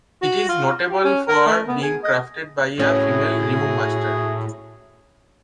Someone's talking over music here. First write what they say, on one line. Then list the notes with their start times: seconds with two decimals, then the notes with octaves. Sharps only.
It is notable for being crafted by a female runemaster.
0.22 F#4
0.49 F4
0.90 G4
1.04 C#4
1.28 A#4
1.46 A3
1.67 B3
1.82 G#4
2.04 D#5
2.79 A2 C#4 E4 F#4 G#4